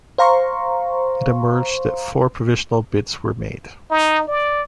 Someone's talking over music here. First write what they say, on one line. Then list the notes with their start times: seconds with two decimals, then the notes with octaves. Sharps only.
It emerged that four provisional bids were made.
0.18 C5 F5 A#5 C6 C#6
3.91 D#4
4.28 D5